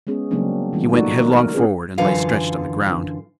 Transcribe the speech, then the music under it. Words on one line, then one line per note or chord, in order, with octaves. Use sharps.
He went headlong forward and lay stretched on the ground.
G#3 B3 C#4 G#4
C#3 F#3 G3 A#3 C4 D4
D#3 F3 G#3 B3
A3 A#3 D#4 F#4 A4 D5
A#4
B3 C#4 F4 F#4 G#4 B4
F#2 D3 E3 F4 F5 G#5